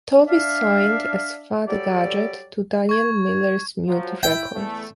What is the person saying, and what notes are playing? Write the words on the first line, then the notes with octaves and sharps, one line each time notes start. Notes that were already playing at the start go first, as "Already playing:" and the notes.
Tovey signed as Fad Gadget to Daniel Miller's Mute Records.
D4 E5 F5
F#3 G3 G4 A4 D5
C#6 G#6
F3 F#3
E4 G5
E2 A3